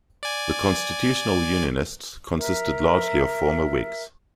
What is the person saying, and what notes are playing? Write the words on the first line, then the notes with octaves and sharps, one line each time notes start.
The Constitutional Unionists consisted largely of former Whigs.
D5 G#5
A#4 E5